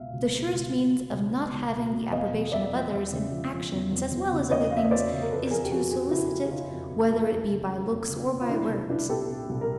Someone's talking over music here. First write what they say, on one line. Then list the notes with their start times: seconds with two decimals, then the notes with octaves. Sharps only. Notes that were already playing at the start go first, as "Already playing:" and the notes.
The surest means of not having the approbation of others, in actions as well as other things, is to solicit it, whether it be by looks, or by words.
Already playing: C#2 B2 E5 F5
0.13 C#2
0.34 B2
0.53 C#2
0.73 B2
0.92 B2
1.13 C#2
1.33 B2
1.53 C#2
1.73 B2
1.92 B2
2.13 E2 D#5 F5
2.33 E2
2.52 E2 D5 E5
2.73 F3
2.92 E2
3.12 C#3
3.32 F3
3.52 F3
3.72 E2
3.92 E2
4.12 E2
4.32 C#3
4.51 E2 C#5 D#5
4.71 F3 F5
4.77 E5
4.84 D#5
4.91 E2 C5 D5
5.11 C#3
5.22 A#4
5.31 F2 A4 B4
5.50 F3 G#4 A#4
5.64 G4
5.70 F3 F#4 G#4
5.91 F2 F#4 G#4
6.11 C#3 E4 F#4
6.30 F2
6.50 C#3 D#4 F4
6.71 F2
6.90 F2
7.10 F2
7.30 F2
7.51 C#3
7.70 F3
7.90 F2
8.09 C#3
8.30 F2
8.41 F4
8.49 F3 D4 E4
8.69 C2
8.89 C2 D4 E4
9.09 A#2 G4 A4
9.30 A#2
9.49 C2
9.61 A#4